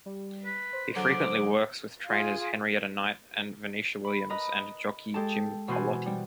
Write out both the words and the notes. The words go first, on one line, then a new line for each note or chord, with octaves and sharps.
He frequently works with trainers Henrietta Knight and Venetia Williams and jockey Jim Culloty.
G3
B4
C5
D3 F#3 G#4 D6
F4 G#4
B5
A#4 B4 D#5 B5
G#3 G4 A4 A5
B2 E3 B4 C5 G#5
G3